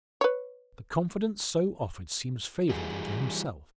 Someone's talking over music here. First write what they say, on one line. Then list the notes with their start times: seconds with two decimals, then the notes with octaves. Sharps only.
The confidence so offered seems favourable to himself.
0.21 B4 C#5
2.69 E3 G3 F#4 G#4